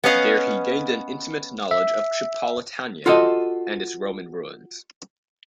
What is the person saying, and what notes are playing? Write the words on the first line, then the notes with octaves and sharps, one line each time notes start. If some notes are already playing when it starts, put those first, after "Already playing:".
There he gained an intimate knowledge of Tripolitania and its Roman ruins.
B3 C#4 D#5 F5 F#5
E5
F4 F#4 A4 C5 D#5